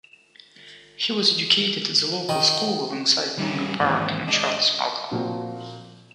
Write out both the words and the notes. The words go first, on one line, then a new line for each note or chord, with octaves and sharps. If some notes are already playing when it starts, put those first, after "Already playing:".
He was educated at the local school alongside Mungo Park and Charles Malcolm.
D#3
G3 C#4
D#2 G#2 E3 C4
G#3 D4 D#5
A#2 F3 A#3 C4 F#4